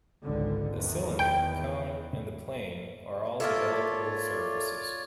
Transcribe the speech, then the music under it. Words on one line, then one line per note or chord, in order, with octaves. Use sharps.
The cylinder, cone and the plane are all developable surfaces.
G#1 C#2 D3
E2 D#3
G5
A#3 E4 F4 A4 C#5 D5